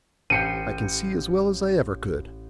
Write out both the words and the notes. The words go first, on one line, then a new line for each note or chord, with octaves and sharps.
I can see as well as I ever could.'
A1 G4 G6 C7 C#7 D#7